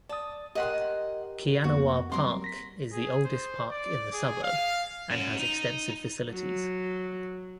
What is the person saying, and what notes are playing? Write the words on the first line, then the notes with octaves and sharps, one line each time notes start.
Kianawah Park is the oldest park in the suburb and has extensive facilities.
D5 A5 D#6
G4 A#4 D#5 F#5 G5 C6
F2 A#3 B3 F#4
F#3 G3 C4 A#4 C6
A#6 B6
G#4
C5
D5
G#4
F5
C#4 F#4
D#4
F#3